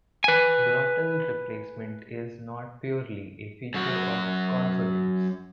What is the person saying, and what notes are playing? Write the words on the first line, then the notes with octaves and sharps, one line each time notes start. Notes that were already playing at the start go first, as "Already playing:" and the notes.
Glottal replacement is not purely a feature of consonants.
B4 G#5
F#2 F#4